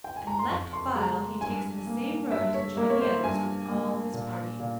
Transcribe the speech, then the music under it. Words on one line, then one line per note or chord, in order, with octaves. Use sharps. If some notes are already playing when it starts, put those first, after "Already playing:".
And left file! he takes the same road to join the others with all his party.
G5
G#5
A#5
C6
F2 C#6
C6
G#3 A#5
G2 G#5
A#3
G2 E5
C#5
A#3 A#4
C#5
C5
G2 G#5
A#3
A#2
A#2